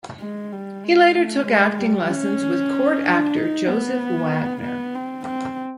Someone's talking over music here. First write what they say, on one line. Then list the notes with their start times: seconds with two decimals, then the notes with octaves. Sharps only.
He later took acting lessons with court actor Joseph Wagner.
0.20 G#3
0.52 G3
0.83 G#3
1.15 A3
1.47 G#3
1.78 G3
2.09 C#4
3.05 D4
3.36 D#4
3.68 B3
4.63 B3
4.94 C4
5.26 C4